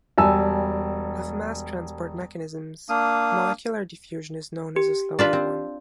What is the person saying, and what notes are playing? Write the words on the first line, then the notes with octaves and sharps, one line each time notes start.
Of mass transport mechanisms, molecular diffusion is known as a slower one.
E1 G3 G#5 A5 E6
A#3 D4 F5 D#6
G4
D4 F4 B4
C4